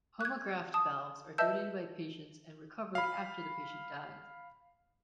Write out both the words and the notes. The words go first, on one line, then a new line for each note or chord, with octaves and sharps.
Homograft valves are donated by patients and recovered after the patient dies.
F#6 G#6
A5 D#6
B4 D#5 E5 A5 E6 G6
F5 B5